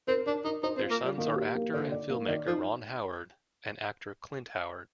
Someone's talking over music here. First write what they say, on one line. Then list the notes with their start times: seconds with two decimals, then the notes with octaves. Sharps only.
Their sons are actor and filmmaker Ron Howard and actor Clint Howard.
0.08 C4 A#4
0.26 D4 A#4
0.45 D#4 A#4
0.63 D#4 C5
0.77 C4
0.81 F4
0.91 A#3
1.00 F4
1.05 G3
1.18 D#3 A#3
1.36 G4
1.55 A#3
1.73 D3 D5
1.92 D5
2.10 A#3
2.28 D#3 D5
2.47 F3 D#4